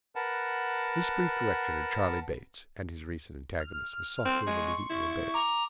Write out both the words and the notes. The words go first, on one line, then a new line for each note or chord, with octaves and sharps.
This brief direction to Charley Bates, and his recent antagonist, was softly and immediately obeyed.
A#4 B4 F#5 A5
F6
C4 C6
G#3 C#6
E4
A#5 D6